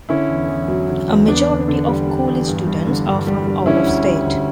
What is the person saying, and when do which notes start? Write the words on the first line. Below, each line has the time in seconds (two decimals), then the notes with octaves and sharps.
A majority of Cooley students are from out-of-state.
0.09 D3 C#4 E4
0.28 E2
0.49 E2
0.68 F#3
0.89 D3
1.08 E2
1.28 E2 B3 D4
1.48 D3
1.68 D3
1.88 G3
2.07 G3
2.27 E2
2.48 G2
2.67 G2
2.87 D3
3.07 G2
3.27 G3
3.47 G3
3.66 D3 C#4 E4
3.87 D2
4.07 G3
4.25 D2